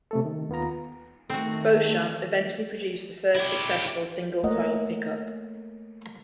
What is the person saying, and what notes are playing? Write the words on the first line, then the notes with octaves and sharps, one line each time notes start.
Beauchamp eventually produced the first successful single coil pickup.
C3 A3 A4
D#3
D#2 B3 F4 A#5
D#3 A3 C4 F#4
E4 G4
A3 A#3 A#4 C#5 D#5 F#5